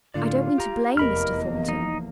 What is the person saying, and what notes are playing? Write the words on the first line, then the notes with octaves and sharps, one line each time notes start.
I don't mean to blame Mr. Thornton.
A2 D3 F4 D5
G4 A#5
F1 E2 A#3 A#4 D#5 B5 F6
D#4